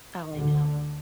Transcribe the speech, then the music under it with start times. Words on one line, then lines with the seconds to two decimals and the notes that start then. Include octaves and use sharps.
Oh, I know,
0.35 D2 D3